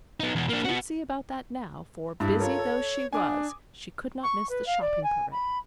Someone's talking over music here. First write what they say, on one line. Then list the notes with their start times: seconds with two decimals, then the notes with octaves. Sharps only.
She would see about that now, for, busy though she was, she could not miss the shopping-parade.
0.20 B3 D#4
0.35 E2 B2
0.50 A#3 D4
0.65 B3 F#4
2.20 G2 E4
2.40 F4 A4 A#4 C#5
2.59 A4
3.13 D4 G#5 D6 D#6
4.23 C#6
4.49 B4
4.66 F5
4.81 D5
5.03 G#5
5.31 B5